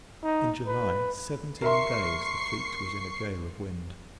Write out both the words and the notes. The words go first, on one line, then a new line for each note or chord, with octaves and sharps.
In July, seventeen days the fleet was in a gale of wind.
D#4
B4
A#4 E5 C6 C#6 C7